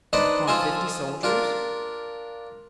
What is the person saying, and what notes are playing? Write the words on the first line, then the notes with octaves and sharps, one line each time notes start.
"Upon fifty soldiers?"
D4 D#4 B4 C5 D5 D#5
F3 F4 A4 C5 D#5 G#5
D4 F4 A#4